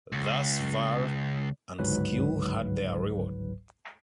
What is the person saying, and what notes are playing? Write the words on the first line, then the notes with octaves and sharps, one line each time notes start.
Thus valor and skill had their reward.
C#2
G1 C#2 G#2 F#3 B4